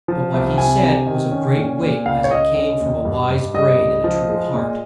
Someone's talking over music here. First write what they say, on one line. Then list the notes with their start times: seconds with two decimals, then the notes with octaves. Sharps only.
But what he said was of great weight as it came from a wise brain and a true heart.
0.08 F3
0.34 C2
0.58 C3 G#5
0.83 C3
1.07 D#3
1.31 C#4
1.56 A#2
1.81 A#2
2.06 C#2 F5
2.24 C#5
2.31 C#2 D#5
2.55 C#4 D#5
2.80 D#2
3.05 G2
3.30 G2
3.54 G3 D#5
3.79 C#2
4.04 F3
4.29 G#3
4.54 A#2